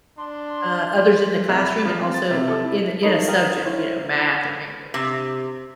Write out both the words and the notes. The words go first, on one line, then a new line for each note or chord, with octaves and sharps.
uh, others in the classroom and also o in a in a subject, you know, math or english.
D4 C6
C2
B5
F3
C4
A6
C3
A4
E4
D#4 A4 A#4 C#5 D#5 B5
F5 G5 A#5 D#6 F6
E4 C5 C#5
F#5 B5
C3